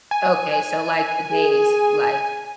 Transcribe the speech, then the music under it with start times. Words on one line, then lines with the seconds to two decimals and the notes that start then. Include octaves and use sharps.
Okay, so, like, today's life?
0.11 G#5
1.33 G#4